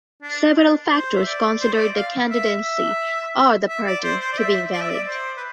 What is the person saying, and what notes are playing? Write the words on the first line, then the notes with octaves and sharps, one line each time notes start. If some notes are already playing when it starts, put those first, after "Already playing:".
Several factors considered the candidacy or the party to be invalid.
D4
C5
E5
D5
C5
E5
D5
F5
E5
E5
E5
D5
C5
C5
D5
E5
D5
E5
D5
C5
B4